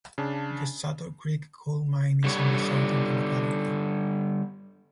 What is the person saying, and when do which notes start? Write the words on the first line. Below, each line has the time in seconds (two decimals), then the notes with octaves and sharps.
The Suttor Creek coal mine is in the south of the locality.
0.18 C#3 D4 A5
2.24 D3 G3 C#5